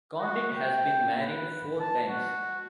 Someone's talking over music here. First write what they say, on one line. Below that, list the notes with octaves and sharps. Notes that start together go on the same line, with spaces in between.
Condit has been married four times.
F#4
G5
B4
A5
F#4